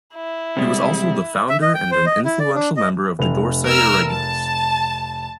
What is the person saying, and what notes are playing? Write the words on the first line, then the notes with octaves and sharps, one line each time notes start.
He was also the founder and an influential member of the Dorsai Irregulars.
E4
C3 G3 G#3
E5
D#5
G5
C5
D#5
E4
D5
D4
D#5
F1 F7
A#4 E6 F6
A5